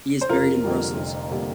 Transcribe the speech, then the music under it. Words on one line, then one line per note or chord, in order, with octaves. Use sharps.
He is buried in Brussels.
C5
F1 F4 A#4
F2 D3 G3 A#3
F1
D3 G3 A#3